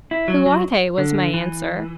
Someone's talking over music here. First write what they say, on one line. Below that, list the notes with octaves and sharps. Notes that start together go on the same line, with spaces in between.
"Who are they?" was my answer.
E4
F#3
F#3
D3
E3